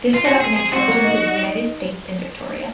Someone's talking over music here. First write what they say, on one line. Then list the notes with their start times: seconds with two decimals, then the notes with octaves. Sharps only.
This set up an encounter with the United States in Victoria.
0.14 F4
0.24 C4 F#4
0.41 G#4
0.56 G#4
0.72 C4 F#4
0.88 A#3
1.04 D#4